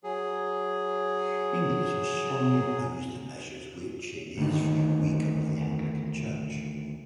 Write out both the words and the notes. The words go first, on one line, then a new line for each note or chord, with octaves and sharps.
Inglis was strongly opposed to measures which, in his view, weakened the Anglican Church.
F#3 G#4
D2 D#3